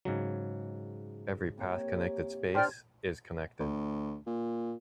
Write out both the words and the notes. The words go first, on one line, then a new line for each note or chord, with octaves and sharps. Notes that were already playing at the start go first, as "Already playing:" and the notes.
Every path-connected space is connected.
G#2 C#3 F#3
C3 A#3 C#5
D4 C5 D5 G5 G#5 F6
D2
A#2